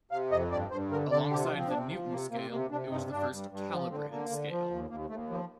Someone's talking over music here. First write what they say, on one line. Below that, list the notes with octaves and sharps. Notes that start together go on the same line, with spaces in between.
Alongside the Newton scale, it was the first "calibrated" scale.
C3 F5
F2 D#5
G2 D5
G2 C5
D3 A#4
D3 D5
C3 G4
F4
F3
C4
C3 D4
C4
F3
C3 A#3
C3 A#3
C3 A#3
C3 D4
G2 D#4
G2 D4
G2
G2
F3
D3 C4
D3 A#3
D3
F3
D#2
D#2 A#3
D#2 A3
F3 A#3